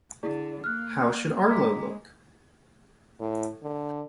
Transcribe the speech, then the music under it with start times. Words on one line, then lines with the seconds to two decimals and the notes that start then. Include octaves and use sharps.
How should Arlo look?
0.23 D3 E4 G#4 D5
0.64 A#3 F6 F#6
1.49 G#3 A#3 A#5 D6 B6
3.20 A2
3.63 D3